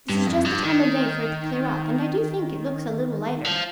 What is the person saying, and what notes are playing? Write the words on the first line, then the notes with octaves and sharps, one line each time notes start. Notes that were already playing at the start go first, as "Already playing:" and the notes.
This is just the time of day for it to clear up, and I do think it looks a little lighter.
G2
F2
G2
D#3
F3